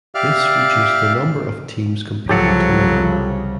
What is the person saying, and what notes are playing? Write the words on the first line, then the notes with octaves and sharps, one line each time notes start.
This reduced the number of teams competing to nine.
G4 D5 E5 F5 F6
C2 C#3 F3 F#3 G4 A4 F#5